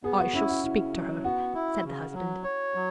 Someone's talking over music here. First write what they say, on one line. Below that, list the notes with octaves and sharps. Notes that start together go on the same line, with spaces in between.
"I shall speak to her," said the husband.
B3 G#4
F#4
C#4 E4
F#4
C#3 E4
F#3
B3 F#4
E4
C#3
F#3
C#5
F#3